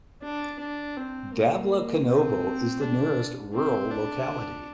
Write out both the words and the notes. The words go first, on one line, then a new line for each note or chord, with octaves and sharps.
Davlekanovo is the nearest rural locality.
D4
D4
C4
A#3
C4
D4
C4
D4